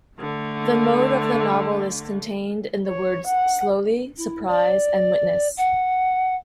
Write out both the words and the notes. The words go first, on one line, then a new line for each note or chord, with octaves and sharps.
The mode of the novel is contained in the words Slowly, Surprise, and Witness.
D3 A3
C#5
F#5
E4
D5
F#5